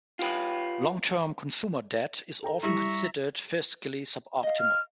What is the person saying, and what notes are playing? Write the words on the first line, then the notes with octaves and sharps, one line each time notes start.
Long-term consumer debt is often considered fiscally suboptimal.
F4 G4 B4
A4 G5 A#5
G3 E4 G4 E5 A#5 C#6
D#5 F5
F6